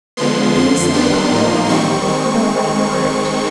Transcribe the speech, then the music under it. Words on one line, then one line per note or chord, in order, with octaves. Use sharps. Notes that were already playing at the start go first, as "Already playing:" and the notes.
Henry set off again with a light heart.
D3 F3 G#3 B3 C6
F2 D3 F3 C6
D#3 G3 B3 D4 C6
A2 F3 A#3 D#4
D#3 G3 C4 C#6
D#3 G#3 C4